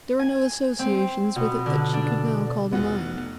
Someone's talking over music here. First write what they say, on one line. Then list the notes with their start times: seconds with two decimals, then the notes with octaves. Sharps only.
There were no associations with it that she could now call to mind.
0.19 G#5
0.79 C4
1.36 B2
1.66 D3
1.93 D4
2.73 F1 B3 F#4